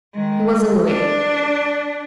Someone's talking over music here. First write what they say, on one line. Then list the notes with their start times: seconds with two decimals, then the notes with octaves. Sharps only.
He was annoyed.
0.13 D#3 G#3
0.86 D4